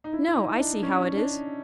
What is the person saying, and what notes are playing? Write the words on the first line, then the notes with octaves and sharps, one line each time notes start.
No; I see how it is.
D#4
E4
E4
D#4
D4
C#4
D4